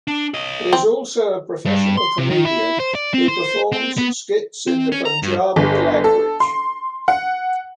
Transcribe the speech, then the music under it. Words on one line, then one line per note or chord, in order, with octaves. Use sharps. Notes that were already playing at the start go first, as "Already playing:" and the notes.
He is also a professional comedian who performs skits in the Punjabi language.
D4
C#5 D#5
C4
G2
C6
C3
D#3
E4
C5
D5
C4
C5
C4
B3
C4
C#4
A#5
G2
G1
A4
C6
F#5